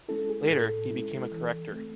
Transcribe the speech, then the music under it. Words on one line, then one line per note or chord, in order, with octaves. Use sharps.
Later, he became a corrector.
G#3 C#4 E4 A4
G#4
A2 A4
G#3 C#4 E4
E3
A3 C4